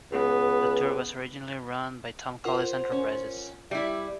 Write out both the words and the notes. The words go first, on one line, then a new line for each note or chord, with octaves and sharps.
The tour was originally run by Tom Collins Enterprises.
C#2 B3
F4 A#4 C5 F#5
C#4
G3 E4 E5